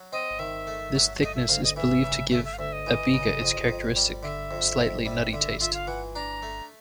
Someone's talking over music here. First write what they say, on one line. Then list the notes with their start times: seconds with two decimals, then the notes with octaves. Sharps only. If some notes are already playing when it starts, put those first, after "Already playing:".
This thickness is believed to give a Biga its characteristic slightly nutty taste.
Already playing: F#3
0.12 C4 D#5
0.39 D#3 E5
0.67 A3
0.95 F#3
1.22 A3 D#5
1.35 E5
1.49 D2 F5
1.63 D#5
1.76 E3 E5
2.04 C#3
2.31 A3 E5
2.45 E5
2.53 F5
2.59 D2 E5
2.73 D#5
2.86 E3
3.14 C#3
3.42 F2
3.69 F2
3.96 G3
4.23 D3 E5
4.51 F2
4.78 F2
5.05 G3 E5
5.32 D3 E5
5.60 F4 E5
5.74 F5
5.87 E3 F#5
6.15 D4 A#5
6.42 A3